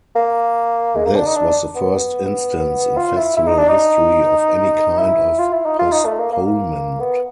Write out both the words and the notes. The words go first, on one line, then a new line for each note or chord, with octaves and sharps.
This was the first instance in festival history of any kind of postponement.
A#3
G#3
A#3
D4
D#4
D4
B3
F4
E4
E4
D#4
D4
D#4
E4
F4
E4
D#4
F4
D#4
A3
A#3
A#3
A#3
B3